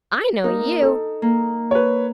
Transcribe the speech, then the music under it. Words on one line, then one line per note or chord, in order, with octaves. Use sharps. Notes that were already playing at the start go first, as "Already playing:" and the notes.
"I know you!"
A#3 D#4
A4
A#3
B4 C#5